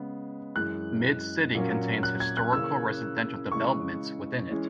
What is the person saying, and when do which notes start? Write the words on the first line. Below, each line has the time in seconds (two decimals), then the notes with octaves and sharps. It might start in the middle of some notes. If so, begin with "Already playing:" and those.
Mid-City contains historical residential developments within it.
Already playing: C#3 G#3 B3
0.56 F#2 E3 G#3 F#6
1.55 A#2 F#3 A#3 C#4
2.03 F#6
2.20 G#6
2.37 F#6
2.53 C#3 E3 A#3 C#4 E6
3.51 C#3 E3 G#3 C#6
4.50 E3 G#3 C#4